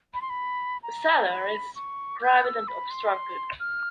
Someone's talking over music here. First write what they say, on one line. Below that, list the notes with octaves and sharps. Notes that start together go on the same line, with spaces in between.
The cellar is private and obstructed.
B5
C6
B5
A#5
B5
C#6
G6
E6
B5
C6
F6